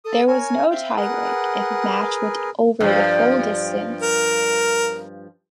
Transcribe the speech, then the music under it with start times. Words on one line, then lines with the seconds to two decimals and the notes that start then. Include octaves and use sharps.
There was no tie-break if a match went over the full distance.
0.05 A4 D#6
0.27 A#4 C#5 G#5
0.71 C4 E5 F5 G5
0.97 G#4 A#4 B4 F#5
2.80 G2 F3
4.02 A#4